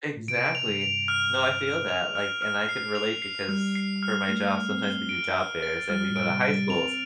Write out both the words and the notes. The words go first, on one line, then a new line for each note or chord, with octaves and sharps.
Exactly. No, I feel that, like and I could relate because for my job, sometimes we do job fairs and we go to high schools,
A2
C3 D7
F7
G2
F7
F6
F7
F6
F7
F6
F6
C7
F7
C7
G3 F6
C7
F6
A3 C7
F6
C4
G7
D7
F6
A6
G3 F6
A2
D7
C3
D7
G3
C4 F7